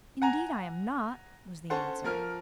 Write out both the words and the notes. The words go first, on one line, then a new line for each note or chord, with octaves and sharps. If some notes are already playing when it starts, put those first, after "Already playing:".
"Indeed I am not," was the answer.
F#5 G#5 A#5
C#4 A4 C5 F#5
F3 A#4 F6